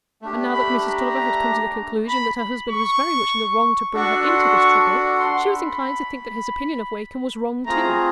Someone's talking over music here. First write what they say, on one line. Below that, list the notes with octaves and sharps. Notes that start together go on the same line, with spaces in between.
And now that Mrs. Tulliver had come to the conclusion that her husband was very much in the wrong to bring her into this trouble, she was inclined to think that his opinion of Wakem was wrong too.
A3 D4 G4
B5
A#5
B5
C#6
D4 F#4 A4 D5 F#5 C#6
C6
C#6
C6
B5
A3 C4 F4 G#4 A#5